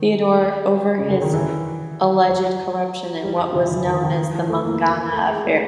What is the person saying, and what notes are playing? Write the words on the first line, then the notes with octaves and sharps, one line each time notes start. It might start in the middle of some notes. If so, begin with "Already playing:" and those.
Theodore over his alleged corruption in what was known as the Mungana affair.
Already playing: D#3
C#3
D3
D#3
E3
F#3
G3
F3
E3
E3
D#3
D#3
F3
A3
A#3
A#3
A3
G#3
A3